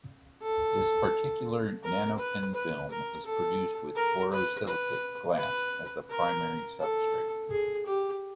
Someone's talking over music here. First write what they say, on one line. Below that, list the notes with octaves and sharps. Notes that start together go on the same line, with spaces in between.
This particular nanopin film is produced with borosilicate glass as the primary substrate.
A4
A#4
B4
B4
A#4
A4
A#4
B4
B4
B4
A#4
A4
G#4
G4